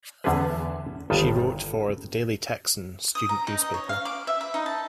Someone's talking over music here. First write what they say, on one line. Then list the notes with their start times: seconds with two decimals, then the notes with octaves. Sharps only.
She wrote for "The Daily Texan" student newspaper.
0.24 E2 D3 B3 C#4 G#4 B4
1.10 G1 G2 D#3 A4
3.15 D#6
3.29 A#5
3.47 D#4
3.61 D#5
3.74 C#5
3.89 F5
4.05 D6
4.27 E5
4.41 B5
4.54 D#4
4.66 A5